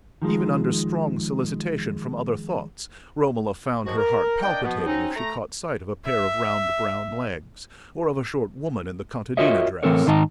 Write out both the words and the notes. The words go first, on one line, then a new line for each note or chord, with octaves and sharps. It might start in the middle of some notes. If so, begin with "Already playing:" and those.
Even under strong solicitation from other thoughts Romola found her heart palpitating if she caught sight of a pair of round brown legs, or of a short woman in the contadina dress.
D#3 F3 G#3
G#2 D#3 F3 F#3 F#4
A#4
A#3 D4 D5 D#5 G5
B2 F3 B3
F#3 C4 C#4 D#4
A3 A#5
E5
F4 F#4 A#4 C#5 D#5 E5
A2 E3 C4 A4 A#4 C#5
G#2 D#3 D#4 D#5 A5 A#5